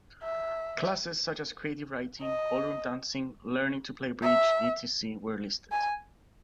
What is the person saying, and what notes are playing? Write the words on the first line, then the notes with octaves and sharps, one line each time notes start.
"Classes" such as creative writing, ballroom dancing, learning to play bridge, etc., were listed.
E5
D#5
E5
G#5